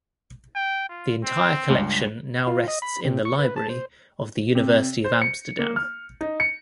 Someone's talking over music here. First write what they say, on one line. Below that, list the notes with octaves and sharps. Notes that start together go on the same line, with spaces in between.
The entire collection now rests in the library of the University of Amsterdam.
G5
F4
C4
C#2 G2
F4
D#5
B5
C3
C#6
B4
A5
C5
C3
C5
C#7
A#3
F6
D#4
C#7